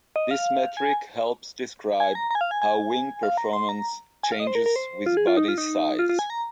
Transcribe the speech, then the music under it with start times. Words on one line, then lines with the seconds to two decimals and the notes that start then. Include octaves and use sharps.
This metric helps describe how wing performance changes with body size.
0.16 D#5
0.31 F5
0.77 G#5
2.00 G#5
2.15 A#5
2.31 A#5
2.35 G#5
2.41 F5
2.51 G#5
2.62 G#5
3.23 F5
3.37 A#5
3.53 C6
3.69 A#5
4.23 G#5
4.32 F5
4.40 D#5
4.47 C5
4.55 A#4
4.66 A#4
4.76 C5
5.06 F4
5.17 G#4
5.27 F4
5.37 D#4
5.48 F4
5.58 D#4
5.99 F4
6.09 F4
6.19 G#5
6.30 A#5